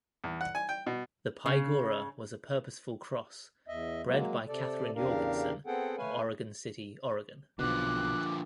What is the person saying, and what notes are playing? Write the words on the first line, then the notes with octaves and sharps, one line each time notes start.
The Pygora was a purposeful cross, bred by Katharine Jorgensen of Oregon City, Oregon.
E2
F#5
G#5
G5
B2
C#3
E2 D#5 E5
F#3 G#3 A#3
C3 A4 D5
E2 C#3 D4 G4 A#4 F5
B3 C4 G#4 A4 F#5 G5
A3 B4 C#5 F5 G#5
B1 B2 D3 F3 D6 F#6